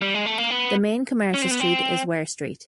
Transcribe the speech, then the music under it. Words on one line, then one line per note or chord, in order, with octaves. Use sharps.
The main commercial street is Were Street.
G3
G#3
A3
A#3
B3
C#4
C4
B3
C4